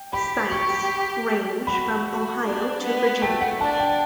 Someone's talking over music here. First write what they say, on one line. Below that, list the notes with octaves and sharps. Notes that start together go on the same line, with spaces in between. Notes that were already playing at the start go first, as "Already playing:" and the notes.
Sites range from Ohio to Virginia.
Already playing: G5
G4 B5
C#6
F#4 B5
D4
B3
A3 G5
F#5
D4 A5
G5